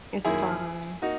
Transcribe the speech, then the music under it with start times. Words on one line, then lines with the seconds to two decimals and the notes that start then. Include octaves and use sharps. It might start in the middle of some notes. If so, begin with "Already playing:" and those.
It's fine.
0.25 F#2 D#3 A#3 E4 G#4
1.02 A#3 D#4 F#4